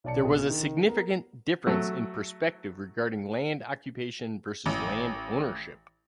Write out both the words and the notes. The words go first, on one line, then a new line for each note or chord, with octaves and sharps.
There was a significant difference in perspective regarding land occupation versus land ownership.
B1 C#5 D5 A5 C#7
A#1 B2 G#4
D#3
B3 A#4
F#3 A3
A1